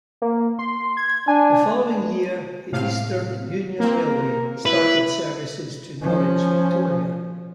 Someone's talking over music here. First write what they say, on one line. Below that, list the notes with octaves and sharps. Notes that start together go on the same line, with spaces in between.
The following year the Eastern Union Railway started services to Norwich Victoria.
A#3
C6
G#6
D4 G#5
A2 C3 F5
A#3 C4 A#4
E4 B4
F3 C#4